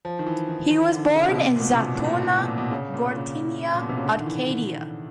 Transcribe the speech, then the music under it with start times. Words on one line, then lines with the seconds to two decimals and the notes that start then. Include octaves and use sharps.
He was born in Zatouna, Gortynia, Arcadia.
0.05 F3
0.19 D#3
0.27 E3
0.49 D#3
0.71 D#3
0.93 D3
1.16 C#3
1.29 B2
1.38 C3
1.56 A#2
1.60 B2
1.73 C3
1.83 B2
1.95 A2
2.04 A#2
2.38 B2
2.48 A#2
2.58 B2
2.71 C#3
2.94 A#2
3.16 C#3
3.75 A#2
3.82 B2
3.89 C3
3.98 C#3
4.04 D3
4.20 D#3
4.26 E3
4.49 E3